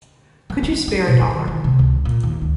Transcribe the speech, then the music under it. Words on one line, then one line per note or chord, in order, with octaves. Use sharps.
Could you spare a dollar?
F3
C#4
D4
B2
D4
D#3
E3
C3
C#2
A#2
D#2
D2